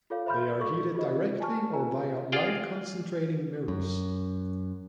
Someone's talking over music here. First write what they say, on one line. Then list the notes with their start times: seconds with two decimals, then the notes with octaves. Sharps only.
They are heated directly or via light-concentrating mirrors.
0.10 F4 A4 C#5 F5
0.26 C5 E5 B5 C6 F6 G6
0.59 A4 C#6
0.95 F4 F#4 G#4 C5 D#5
1.40 G#5 A5 C#6 F6
1.73 F4 B4 G#5 A#5
2.32 F4 G#4 D5 F5 G5
3.68 F#2